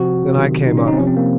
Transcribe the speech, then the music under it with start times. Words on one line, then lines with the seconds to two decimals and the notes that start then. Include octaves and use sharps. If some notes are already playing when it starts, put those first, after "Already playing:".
Then I came up.
Already playing: C3 F3 C4 F#4
0.36 C3 D#3 F#3
0.67 D#4
0.77 C#4
0.88 D#4
0.92 C4
0.97 C3 F3 C#4
1.07 C4
1.17 A#3